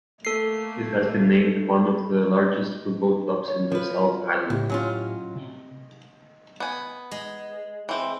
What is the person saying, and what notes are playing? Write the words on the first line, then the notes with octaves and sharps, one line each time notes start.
It has been named one of the largest football clubs in the South Island.
A3 A#3 A4 C7
C#5
F3 B4
C#2 A2 E4 G4
F#3 C#4 F4
C3
B3 G#5
G#3
E3 C4